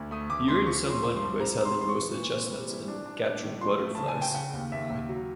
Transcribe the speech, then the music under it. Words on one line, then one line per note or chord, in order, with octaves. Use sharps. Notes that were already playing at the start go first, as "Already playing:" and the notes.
He earned some money by selling roasted chestnuts and capturing butterflies.
Already playing: D2
A3 D#6
D2 D6
A3 C6
F3 C#6
F3
C6
F3
C6
G2
C4 A#5
C4
C6
E3 C6
C#6
E3
A#2
C4
G3
E4
D4
D4
D4
A2
F3 C6
A3
C#3 A5
G#5
C#3
G5
C#3 F#5
D#2
D#2 E5
D#2
F#3